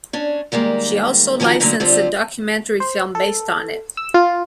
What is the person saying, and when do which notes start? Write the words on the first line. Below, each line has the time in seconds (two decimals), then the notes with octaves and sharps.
She also licensed a documentary film based on it.
0.13 C#4 D4
0.52 D#3 G3 G#3 A#3
1.40 D#3 F3 C#4 D#4 F#4 A#4
1.60 D3 F#3 A3 A#3 C#4 D#4
1.80 D3 G3 C4 F4 C5
2.80 C5
3.15 A4
3.97 E6
4.14 F4